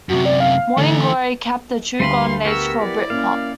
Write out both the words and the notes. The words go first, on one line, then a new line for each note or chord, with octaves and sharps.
"Morning Glory" capped a true golden age for Britpop.
F#2 C3 F#4
D5
F5
D3 E3 A3
D2 G3 B4 F5 B5 C6
B3 G4 A#4 C#6 E6
E4 D5
A#3 C#4 F5